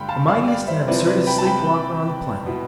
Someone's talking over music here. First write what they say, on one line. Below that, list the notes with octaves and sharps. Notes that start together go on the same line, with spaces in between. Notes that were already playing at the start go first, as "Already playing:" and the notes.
The mightiest and absurdest sleep-walker on the planet!
Already playing: G2 D3 G3 G5 B5 C6
F5 A5
D5 F5
D5 F5
C5 E5
C3 F3 C4 E4 B4 D5
C5
B4 D5
G5 B5
A5
G5 B5
B2 B3 E4